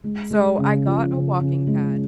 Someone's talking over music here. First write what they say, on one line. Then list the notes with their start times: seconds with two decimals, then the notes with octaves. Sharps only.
So, I got a walking pad
0.04 G#3
0.30 G#3
0.58 C#3
0.85 F3
1.13 C#3
1.41 C#3
1.67 G#3